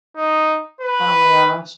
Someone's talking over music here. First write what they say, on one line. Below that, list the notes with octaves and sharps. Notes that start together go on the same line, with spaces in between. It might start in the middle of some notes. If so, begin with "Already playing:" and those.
Oh my gosh.
D#4
B4